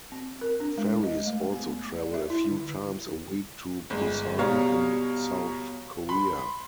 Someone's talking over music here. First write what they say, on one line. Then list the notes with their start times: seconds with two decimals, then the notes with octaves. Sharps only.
Ferries also travel a few times a week to Busan in South Korea.
0.12 C4
0.41 A#4
0.60 D4
0.78 G#3
1.04 D#5
1.27 A3
1.52 B3
1.96 D5
2.14 E5
2.30 E4
2.51 D3
3.90 G1 G#3
4.38 B2 G3 C#5 F5 A#5
6.09 B5 C6